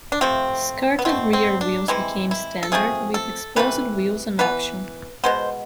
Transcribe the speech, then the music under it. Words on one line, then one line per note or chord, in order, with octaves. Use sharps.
Skirted rear wheels became standard, with exposed wheels an option.
D4
C3 F3 A3 C4
B3
B2 A3 C4
C4
D4
C3 E3 G#3 E4
E4
A4
C3 F3 A3 G#4
A4
C3 E3 A3 B4
E3 B3 B4
B2 G#3 B3 C5